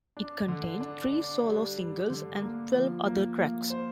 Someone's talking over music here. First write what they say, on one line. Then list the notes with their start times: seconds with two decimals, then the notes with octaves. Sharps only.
It contained three solo singles and twelve other tracks.
0.17 D4
0.48 D3
0.81 D4
1.12 D4
1.45 G3
1.77 G3
2.10 D3
2.42 A#3
2.74 F3
3.06 A#3
3.38 A#3
3.70 C5